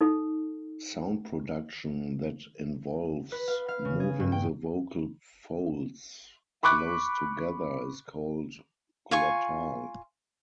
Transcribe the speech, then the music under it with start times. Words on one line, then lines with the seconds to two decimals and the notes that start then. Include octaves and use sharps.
Sound production that involves moving the vocal folds close together is called "glottal".
0.01 D#4 A4
3.32 B4
3.48 F5
3.68 F5
3.85 C#3
4.00 G#4
4.20 G2
4.32 G5
6.63 B5 C#6 D6 F#6
9.11 F4 G#5 C#6